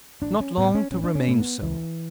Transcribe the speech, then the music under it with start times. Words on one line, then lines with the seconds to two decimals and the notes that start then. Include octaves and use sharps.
Not long to remain so.
0.22 A1 D4
0.40 C#4
0.58 A2 B3
0.75 C#4
0.92 A1 C#4
1.04 D4
1.15 C#4
1.28 A2 A3
1.40 B3
1.62 C#2 E3